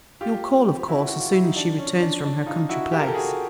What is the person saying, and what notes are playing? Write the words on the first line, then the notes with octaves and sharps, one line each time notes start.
You'll call, of course, as soon as she returns from her country place.
F4 G4
E4 F#4
F#4
F4
E4
D#4
D4
C#4
D4
D4
D#4 F4
E4 F#4
F4 G4
A#4
A4
F#4 G#4